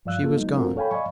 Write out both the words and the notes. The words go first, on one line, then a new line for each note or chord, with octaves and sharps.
She was gone.
G2 F3 D5 F5 E6 F#6
A#3 F4 A4
F#3 G#3 B3 D#4
A3 C4 D4 F4 F#4 A#4
A4 C#5 F5 G5 G#5 B5
D5 D#5 F5 G#5 B5 C#6